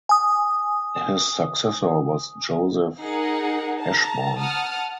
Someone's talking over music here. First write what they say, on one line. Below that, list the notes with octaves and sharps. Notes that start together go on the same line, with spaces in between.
His successor was Joseph Eschborn.
G#5 D#6
D#4 G#4 A#4 F#5
A5 A#5
F#5 A5 D#6 F6